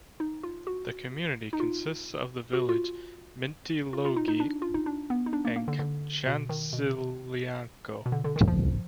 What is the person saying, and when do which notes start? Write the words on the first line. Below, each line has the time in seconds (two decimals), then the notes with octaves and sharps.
The community consists of the villages Mintilogli and Chantziliako.
0.20 D#4
0.43 F4
0.67 F#4
1.53 D#4
1.60 F4
2.53 F#4
2.69 F4
3.93 F4
4.05 F4
4.16 D#4
4.28 D#4
4.40 D4
4.62 F4
4.74 D#4
4.86 D4
5.10 B3
5.26 D#4
5.33 D4
5.45 A#3
5.56 A#3
5.68 D3
5.79 D3
6.26 B2
6.49 D#3
6.73 B2
8.06 B2
8.12 D3
8.24 D3
8.36 D#3
8.48 F3